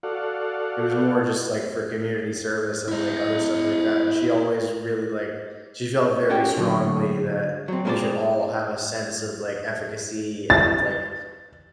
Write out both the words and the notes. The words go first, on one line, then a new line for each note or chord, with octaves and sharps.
it was more just like for community service and, like, other stuff like that, and she always really like she felt very strongly that we should all have a sense of, like, efficacy and like,
F#4 A4 D5 F5 F#5
E4 D#5
C#4 D#4 F#4 G4
A#2 D3 E3 F#3
F#3 C4
G#3 C4 C#4 A#4 C5 D5
A6